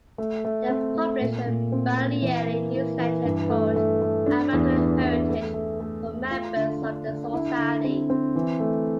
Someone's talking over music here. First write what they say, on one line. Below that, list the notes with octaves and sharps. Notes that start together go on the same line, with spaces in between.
They publish a bi-yearly newsletter called "Our Mountain Heritage" for members of the society.
A3
A3
C4
A3
A#2
A#2
C4
C4
E3
A#3
E3
E3
G2
A3
A3
A3
D4
E2
E3
E3
A3
A3
A3
A3
F4
D3
D4
D3
E4
D3
C4
C4
E3
A3